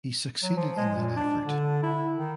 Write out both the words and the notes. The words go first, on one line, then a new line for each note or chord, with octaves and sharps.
He succeeded in that effort.
F#3
F3
G#3
A#2
D4
D3
E4
D#3